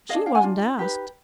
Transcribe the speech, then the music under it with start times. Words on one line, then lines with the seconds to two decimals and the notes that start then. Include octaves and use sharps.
She wasn't asked.
0.09 F4 G#4 D#5 F5
0.15 D4
0.26 F5 G5
0.35 F#5 G#5
0.43 D4 F4
0.77 D#4 G4 B4